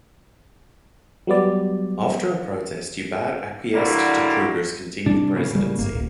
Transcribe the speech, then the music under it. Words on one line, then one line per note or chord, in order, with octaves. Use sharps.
After a protest Joubert acquiesced to Kruger's continued presidency.
F#3 G3 B3 D5
D3 F#3 G3 A#3 E4
C3 G3 D4
A2 C#3 A#3
G3
G1 A#3
D1